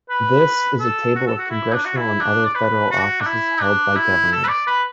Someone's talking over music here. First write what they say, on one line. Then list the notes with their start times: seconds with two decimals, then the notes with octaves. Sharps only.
This is a table of congressional and other federal offices held by governors.
0.09 B4
0.79 A4
1.15 F#4
1.27 A4
1.38 F#4
1.50 E4
1.74 D4
1.85 F#4
1.96 E4
2.20 D4
2.45 D5
2.55 B4
2.91 F#4
3.21 D4
3.26 E4
3.61 D4
3.96 E4
4.32 A4
4.44 B4
4.48 D5
4.67 B4